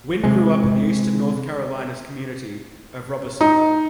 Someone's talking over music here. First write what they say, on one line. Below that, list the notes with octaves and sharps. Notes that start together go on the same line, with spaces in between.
Wynn grew up in the Eastern North Carolina community of Robersonville.
C3 G#3
D#4